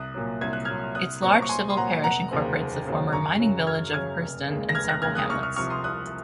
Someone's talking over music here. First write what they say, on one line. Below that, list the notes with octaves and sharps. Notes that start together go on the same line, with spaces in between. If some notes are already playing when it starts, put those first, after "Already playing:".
Its large civil parish incorporates the former 'mining village' of Hersden and several hamlets.
Already playing: C2 D#6 F#6
A#2 F#3
C2 G#6
F#6
A#2 F#3 F6 G#6
C2 D#6 F#6
A#2 F#3 C4 A#5 C#6
C#6
C2 G#5 C6
C6
A#2 F#3 C4 F#5 A#5
F1 F#5 A#5
D#2 C#3 F#3 C4
F1
D#2 C#3 F#3 C4
F#2 A#5 C#6
C#3 F#3 C#4
F#2 F6 G#6
C#3 F#3 C#4 F6 G#6
F1
D#2 C#3 G#3
A#6
F1 F6 G#6
F#6 A#6
D#2 C#3 G#3 F6 G#6
D#6 F#6
C2 C#6 F6
C#6 F6
C3 F3 C#6 F6
C6 D#6
C2 D#6 F#6